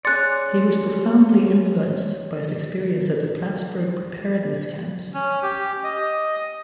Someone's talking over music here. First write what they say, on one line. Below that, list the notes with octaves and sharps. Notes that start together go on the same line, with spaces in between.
He was profoundly influenced by his experience at the Plattsburg Preparedness camps.
C#4 G#4 D5 C6 F#6 A6 C#7
C#4
G4
D#5